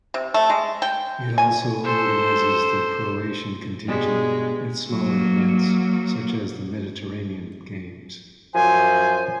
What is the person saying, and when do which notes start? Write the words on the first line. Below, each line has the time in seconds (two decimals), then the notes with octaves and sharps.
It also organizes the Croatian contingent at smaller events such as the Mediterranean Games.
0.14 C3
0.34 A3
0.50 G#3
0.82 G5
1.38 G#5
1.84 A4 C5
3.88 G2 B2 G3 G#3
4.89 F#3 A#3
8.54 F#2 F3 C5 G#5